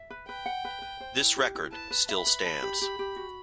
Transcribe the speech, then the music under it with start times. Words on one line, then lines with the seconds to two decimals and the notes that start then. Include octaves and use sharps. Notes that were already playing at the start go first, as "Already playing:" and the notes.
This record still stands.
Already playing: E5
0.10 B4
0.28 B4 G5
0.46 F#5
0.65 B4
0.82 B4
1.00 C5
1.18 E4
1.36 G4
1.55 E4
1.73 B4 A5
1.91 B4
2.09 E5 B5
2.26 B4
2.45 A5
2.62 G4
2.81 G4
2.99 G4
3.16 F#4